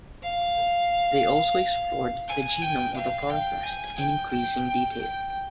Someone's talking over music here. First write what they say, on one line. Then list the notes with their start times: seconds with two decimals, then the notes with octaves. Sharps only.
They also explored the genome of the chloroplast in increasing detail.
0.23 F5
2.28 G#5
2.62 G5
2.96 F5
3.29 G5
3.63 G#5
3.97 G5
4.31 G5
4.66 G5
5.01 G5